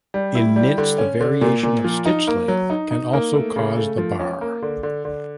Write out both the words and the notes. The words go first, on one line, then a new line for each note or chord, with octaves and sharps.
In knits the variation of stitch length can also cause the barre.
G3
E4
G3
D3
C#4
D3
A#2
A#2
F3
D#4
A#3
F#3
D#4
D#4
A#3
A3
C#3
A3
F3
C#4
A#3
D3
D3
D3